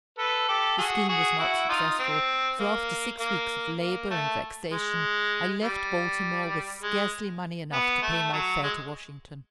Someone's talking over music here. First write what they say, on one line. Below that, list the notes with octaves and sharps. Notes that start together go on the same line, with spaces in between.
The scheme was not successful, for after six weeks of labor and vexation, I left Baltimore with scarcely money enough to pay my fare to Washington.
A4 B4
G4 A4
F#4 G#4
F#4 G#4
E4 F#4
D#4 F4
C4
A#3
A#3
A#3
A3
G#3
G3
G#3
B3
A3
F#3
G#3